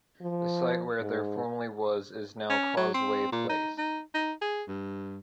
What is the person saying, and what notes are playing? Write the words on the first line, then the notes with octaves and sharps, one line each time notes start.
The site where there formerly was is now Causeway Place.
F3
G#2
C#4
F#3
C4
A#2
D#4
D#4
D#4
G#4
G2